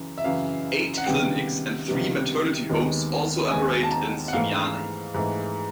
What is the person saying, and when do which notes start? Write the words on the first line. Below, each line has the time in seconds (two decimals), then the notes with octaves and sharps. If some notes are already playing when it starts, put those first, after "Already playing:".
Eight clinics and three maternity homes also operate in Sunyani.
Already playing: F#2 C#3 E3
0.18 E5
0.24 F#2 C#3 E3 F5
0.98 F#5
1.06 C#2 C3 D#3 G3 B3 G5
1.88 C#2 C3 D#3 G3 B3
2.69 D#2 D#3 G#3 B3
3.50 D#2 D#3 G#3 B3 G#5
3.72 G#5
3.83 A5
3.91 A#5
4.28 F#5
4.33 G#2 E3 A3 F5
5.14 G#2 E3 A3